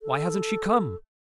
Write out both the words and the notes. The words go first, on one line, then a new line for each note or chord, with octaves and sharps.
'Why hasn't she come?
A4